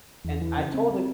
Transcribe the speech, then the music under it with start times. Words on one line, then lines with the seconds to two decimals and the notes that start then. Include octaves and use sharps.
and I told the
0.24 E2
0.41 E3
0.57 C#3
0.74 C4
0.91 C4